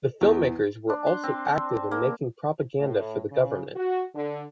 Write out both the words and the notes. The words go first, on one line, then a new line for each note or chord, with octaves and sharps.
The filmmakers were also active in making propaganda for the government.
E2
D4
C6
C4
C5
A#3
A2
C#3
F#4
D3